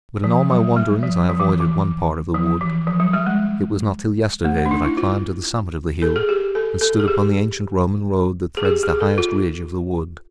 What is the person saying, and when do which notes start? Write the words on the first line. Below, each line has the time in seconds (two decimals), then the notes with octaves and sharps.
But in all my wanderings I avoided one part of the wood; it was not till yesterday that I climbed to the summit of the hill, and stood upon the ancient Roman road that threads the highest ridge of the wood.
0.24 F3
0.50 F#3
0.76 G3
1.03 F3
1.29 F3
1.40 E3
1.60 E3
2.34 F3
2.61 E3
2.87 F3
3.00 F#3
3.13 G3
3.26 G#3
4.45 A3
4.58 A3
4.66 D4
4.71 D#4
4.85 E4
4.97 F4
6.02 A4
6.16 G#4
6.29 G4
6.55 A4
6.81 A4
7.00 G#4
7.08 G4
8.57 G#4
8.65 G4
8.83 G#4
9.00 A4
9.18 F4